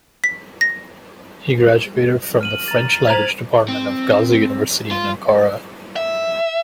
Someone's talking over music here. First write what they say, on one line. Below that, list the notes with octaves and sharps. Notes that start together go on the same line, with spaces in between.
He graduated from the French Language Department of Gazi University in Ankara.
B6
A#6
F6 D#7 F#7
A#5 A6
C5 A#5 G#6 F7 F#7
C4
F4
E5